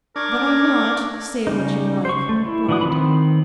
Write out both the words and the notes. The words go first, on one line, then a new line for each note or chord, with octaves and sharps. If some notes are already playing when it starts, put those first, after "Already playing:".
But I'm not, say what you like, blind.
D4 A#4 C#6 D6 G#6
C#3 G3 D#4
C5 C#6
A3
E4
E3 F3 D4 F#4 D#6
D#3 A3 C4 B5